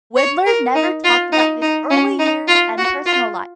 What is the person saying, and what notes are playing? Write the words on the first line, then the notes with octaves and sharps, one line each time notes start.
Widlar never talked about his early years and personal life.
C#5
A#4
D#4
F4
D#4
D#4
C#4
D#4
F4
F#4
F4